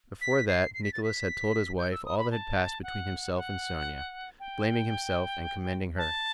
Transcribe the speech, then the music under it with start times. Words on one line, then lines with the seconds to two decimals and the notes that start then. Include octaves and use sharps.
Before that, Nicholas had told his wife all that had passed between himself and Sonya, blaming himself and commending her.
0.21 B6
0.48 C7
0.74 C7
0.83 B6
0.93 A6
1.04 B6
1.79 G6
1.92 E6
2.05 D#6
2.18 B5
2.32 A5
2.83 F#5
3.36 F#5
4.40 G5
5.98 A5